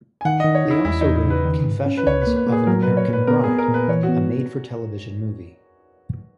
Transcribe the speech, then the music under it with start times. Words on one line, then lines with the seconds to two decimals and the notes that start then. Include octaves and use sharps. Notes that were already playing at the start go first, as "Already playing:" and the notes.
They also wrote "Confessions of an American Bride", a made for television movie.
0.21 G#5
0.25 D#3 F#5
0.40 D#3 D#5
0.55 C#5
0.66 D#4 E4
0.85 E2 E4
1.01 E2 D#4
1.16 E4
1.25 C#3
1.30 B4
1.45 D#3
1.66 G#2
1.86 C#4
1.97 B4
2.07 C#2 C#5
2.22 B4
2.27 A#3
2.36 B4
2.47 A#3
2.52 G#4
2.67 F#3 A#4
2.82 B4
2.88 A#2
2.97 C#5
3.08 A#2 B4
3.27 B3 A#4
3.44 B3 G#4
3.58 A#4
3.68 A#2
3.74 B4
3.88 E3 C#5
4.03 F#4
4.09 B3